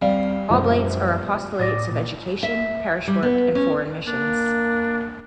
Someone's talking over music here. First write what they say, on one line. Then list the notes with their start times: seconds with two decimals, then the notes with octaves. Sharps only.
Oblates are apostolates of education, parish work and foreign missions.
0.02 G3 C4 F5
0.50 A#1 F#2 B2 A3 C5
1.59 A2 D5 D6 D#6 A6 A#6
1.92 A#2
2.43 E5
3.08 G3
3.23 B3
3.55 C#4
4.07 A#3 D4